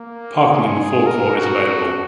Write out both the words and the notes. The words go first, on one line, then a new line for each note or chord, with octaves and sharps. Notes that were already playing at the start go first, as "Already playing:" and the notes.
Parking in the forecourt is available.
Already playing: A#3
G#4
A#4
F#4